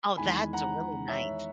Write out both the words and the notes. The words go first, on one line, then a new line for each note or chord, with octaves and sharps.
Oh, that's really nice.
E2 D#3 G#3 G#5 B5
F#5 A#5
C#5 E5